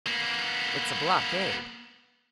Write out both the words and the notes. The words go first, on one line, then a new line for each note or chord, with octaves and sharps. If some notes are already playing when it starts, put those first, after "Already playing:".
"It's a blockade."
A#3 B3